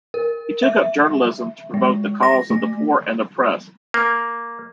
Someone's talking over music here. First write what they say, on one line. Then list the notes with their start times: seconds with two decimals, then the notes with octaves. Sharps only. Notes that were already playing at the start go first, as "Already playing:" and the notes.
He took up journalism to promote the cause of the poor and oppressed.
0.14 A#4
0.63 E5
1.74 G#3
2.23 A#6
2.50 A3
3.94 A#3